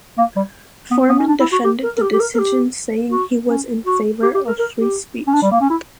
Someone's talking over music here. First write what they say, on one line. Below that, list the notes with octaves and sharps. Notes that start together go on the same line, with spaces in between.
Forman defended the decision saying he was in favour of free speech.
A#3
G3
B3
B3
C#4
D4
E4
F#4
G4
A#4
A#4
G4
G4
A#4
A#4
G4
F#4
C#4
F#4
G4
G4
A#4
A#4
G4
C#4
D4
G3
A#3
C#4
E4